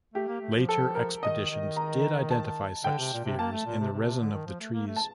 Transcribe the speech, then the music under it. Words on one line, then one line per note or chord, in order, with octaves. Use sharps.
Later expeditions did identify such spheres in the resin of the trees.
A3 G4
A#3
A3
F3
A4
A#4
D#3 D#5
D#3
A#5
A5
D3 G5
C3
A#2
C3
A#3 A5
A3
A#2
C3
C3
C3
D3
D#3
F3
A3
A#3
A3
A5